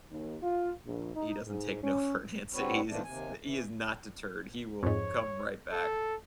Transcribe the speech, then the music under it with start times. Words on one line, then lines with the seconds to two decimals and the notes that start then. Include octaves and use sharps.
he doesn't take no for an answer, he is he is not deterred, he will come right back,
0.10 D#2
0.42 F4
0.85 A#1
1.15 D#4
1.46 G#2
1.82 C#4
2.53 D3 G3 C4 F#4 B4 C#5
2.88 D3 D#3 F3 A3 B3 D4
3.04 D#2 C3 G#5
3.43 E3
4.83 F2 G#2 C#5
5.72 A4